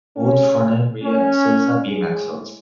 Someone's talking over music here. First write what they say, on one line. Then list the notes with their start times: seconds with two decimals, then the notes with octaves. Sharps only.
Both front and rear axles are beam axles.
0.17 C#3 G#3 C#4
1.03 C#4
1.89 A2 G#3 G#4